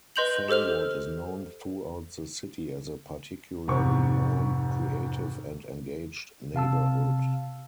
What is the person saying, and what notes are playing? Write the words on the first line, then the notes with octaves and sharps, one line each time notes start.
Fernwood is known throughout the city as a particularly warm, creative, and engaged neighbourhood.
B4 D#5 C6 G6 F7 F#7
G4 A4 C5 F6 F7
F1 G#2 C3 C#6
C3 F5 A5 E6